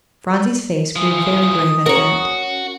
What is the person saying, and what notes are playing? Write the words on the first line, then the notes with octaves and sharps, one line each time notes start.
Phronsie's face grew very grave at that.
E3 F3 D#6
C#4 F#4 A#4 C#5